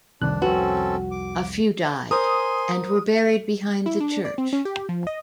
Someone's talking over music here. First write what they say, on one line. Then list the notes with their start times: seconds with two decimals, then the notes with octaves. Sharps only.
A few died and were buried behind the church.
0.22 C2 F2 C3 D#3 D4 F#6
0.42 C4 C#4 F#4 A4 B4
1.11 D6
2.11 A#4 C5 G#5 C6 D#6
3.86 E4
4.00 D4
4.25 D5
4.38 C4
4.53 C#4
4.65 G4
4.89 F3
5.07 D#5